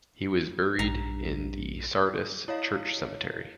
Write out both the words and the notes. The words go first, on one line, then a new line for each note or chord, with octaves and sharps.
He was buried in the Sardis Church Cemetery.
A#1 G2 A#5
E4 C#5 D#5 F5